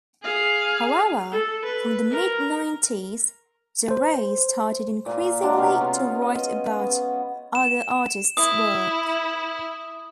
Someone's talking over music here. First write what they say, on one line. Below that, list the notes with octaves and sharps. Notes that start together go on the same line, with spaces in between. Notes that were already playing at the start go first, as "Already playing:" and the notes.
However, from the mid-nineties Jaray started increasingly to write about other artists' work.
G#4 F5
A4
B4
A#4
C5
A#2 A#3 G#5
F#3 G#3 D4 F#4
C3 B3 F5 C#6
B3 C#4 F4 C#5
C#4 D#5
B3
E7
E4 D#6